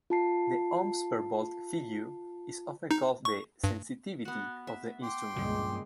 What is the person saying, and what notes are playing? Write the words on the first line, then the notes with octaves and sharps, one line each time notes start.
The ohms per volt figure is often called the "sensitivity" of the instrument.
F4 A5 C7
D#4
C#6
G2
B3 F#4
E5
G5 C6 D6
C#2 G2 A#2 C#3 F3 G#3